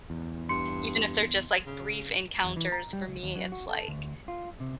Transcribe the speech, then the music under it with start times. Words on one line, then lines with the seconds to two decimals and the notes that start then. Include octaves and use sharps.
even if they're just, like, brief encounters for me, it's like,
0.10 E2
0.49 G2 C6 C#7
1.66 C#3
2.44 E2
2.57 E3
2.72 A#5
2.93 G3
3.07 C#2
3.23 D#2
3.35 F#3
3.52 F#4
3.69 A4
3.88 D2
4.28 F4
4.60 C3